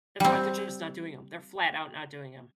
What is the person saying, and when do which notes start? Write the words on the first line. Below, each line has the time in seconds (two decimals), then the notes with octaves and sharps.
That's right, they're just not doing 'em. They're flat out not doing 'em.
0.20 G3 C4